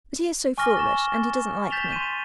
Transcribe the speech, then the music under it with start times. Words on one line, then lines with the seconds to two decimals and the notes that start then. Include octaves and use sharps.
But he is so foolish, and he doesn't like me.
0.58 G#5 C#6 D6 F6 A#6 G7
0.77 A6 E7
1.70 G6 A6 B6 E7 F7 G7
1.92 C6 D#7